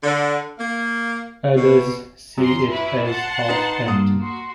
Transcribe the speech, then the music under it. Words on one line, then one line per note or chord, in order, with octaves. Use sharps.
Others see it as half empty.
D3
A#3
B2
F#2 A#5 C6
E4 B4
F#5 A5 C6
D#4 B4 A#5
G2 A#3 D#6
F#4 C6